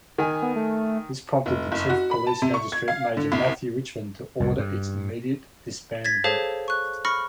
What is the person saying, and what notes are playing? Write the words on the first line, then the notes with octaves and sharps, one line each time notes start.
This prompted the Chief Police Magistrate Major Matthew Richmond to order its immediate disbandment.
D#3 G#5
B3
A3
F1
F#1
F#4
B5
A5
C3
C#6
G#6
F5
D3
C2
C2 F2 A2
G2
G#6 A6 B6
G#4 A4 C5 C#5 F5 A5
C#6 F#6
B5 C#6 F6 A#6 C#7